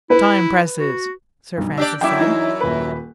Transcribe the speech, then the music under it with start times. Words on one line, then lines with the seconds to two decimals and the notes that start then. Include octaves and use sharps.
"Time presses," Sir Francis said.
0.10 E4 B4
0.79 F#4
1.57 B1 G2
1.77 D4 G4 D5 E6
2.01 F#2 E4 G5 D6
2.20 E3 D#4
2.60 D#1 B4